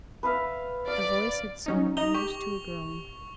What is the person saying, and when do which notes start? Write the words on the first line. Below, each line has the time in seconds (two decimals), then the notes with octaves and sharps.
Her voice had sunk almost to a groan.
0.23 B4 E5 F5
0.87 D5 F5
1.66 F#3 C#4 D#4
1.97 D#4 D#5 F7 G7
2.14 G4 C#6